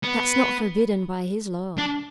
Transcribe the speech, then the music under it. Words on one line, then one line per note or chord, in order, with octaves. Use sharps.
"That's not forbidden by his law."
B3
D4